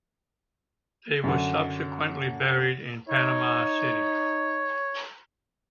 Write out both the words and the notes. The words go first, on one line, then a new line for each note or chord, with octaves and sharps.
He was subsequently buried in Panama City.
F#2 D3
D#4 C#5